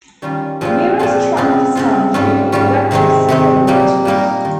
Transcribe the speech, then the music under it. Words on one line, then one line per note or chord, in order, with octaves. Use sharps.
The mirrors track the sun through electric servo motors.
D#3 G3 C#4 F4
A#2 F3 G#3 C4 F4
A#2 F3 G#3 C4 F4
C#3 G#3 C4 F4
C#3 G#3 C4 F4
G#2 G3 C#4 F4
G#2 G3 C#4 F4
C3 D#3 G#3 C4
C3 D#3 G#3 C4
A#2 G3 A#3 D#4
A#2 G3 A#3 D#4
D#3